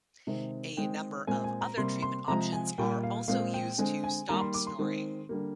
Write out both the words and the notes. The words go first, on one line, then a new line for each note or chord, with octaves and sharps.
A number of other treatment options are also used to stop snoring.
C3 D#3 G#3 C4
D#3 G#3 C4 G5
A#2 G#3 C4 G#5
G#5
A#5
C3 G3 A#3 C6
C6
C3 F3 G#3 A#5
G#5
A#2 G3 A#3 G5
F5
A#2 G#3 C4 F5
G5
D3 G#3 C4 G#5
G#5
D#3 G3 A#3 A#5
C6
D6
C6
D#3 G#3 C4
D3 G3 A#3